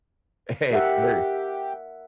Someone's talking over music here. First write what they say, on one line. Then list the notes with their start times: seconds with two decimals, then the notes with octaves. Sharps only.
Hey, mer
0.71 G4 A#4 E5 F#5